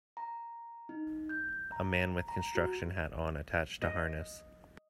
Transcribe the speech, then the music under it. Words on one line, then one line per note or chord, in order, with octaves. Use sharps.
A man with construction hat on attached to harness.
A#5
D#4
G6
A#5
A#5
F#4
D#5